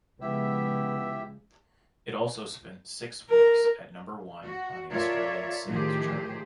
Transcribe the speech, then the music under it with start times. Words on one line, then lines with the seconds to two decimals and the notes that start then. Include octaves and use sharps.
It also spent six weeks at number one on the Australian Singles Chart.
0.21 C#3 F3 G#3 B3 E4 G4 E5
3.30 A#4
4.43 F#4
4.90 F4 A4 A#4 C#5 D5 E5
5.66 A2 D#3 F3 G4 G#4 C5